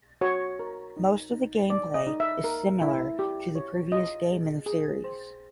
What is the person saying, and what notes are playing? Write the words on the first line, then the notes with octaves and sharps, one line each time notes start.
Most of the gameplay is similar to the previous game in the series.
F#4 C#5
A#4
D#4
D#4
D#4 D5
D#5
D#4
E5
A#4
E4
G4
C#5
F4 D#5
G#4
G#4
C5